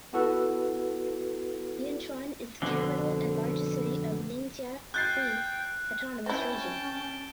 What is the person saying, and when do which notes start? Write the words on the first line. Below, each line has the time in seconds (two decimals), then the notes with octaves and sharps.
Yinchuan is the capital and largest city of Ningxia Hui Autonomous Region.
0.13 B3 E4 F#4 A4 B4
2.62 F2 B2 D3
4.94 G5 F#6 G6 A6 C7
6.26 C4 C#4 E4 G5 A5